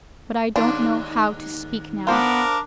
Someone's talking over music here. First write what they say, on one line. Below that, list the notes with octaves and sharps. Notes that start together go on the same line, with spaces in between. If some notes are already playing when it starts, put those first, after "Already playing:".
But I don't know how to speak now.
D#2 G#2 D4 D#4 F4
B3 D4 F4 A#4 C5